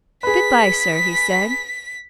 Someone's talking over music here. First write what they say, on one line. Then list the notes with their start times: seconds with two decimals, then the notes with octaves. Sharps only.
'Good-bye, sir,' he said.
0.23 G#4 B4 B6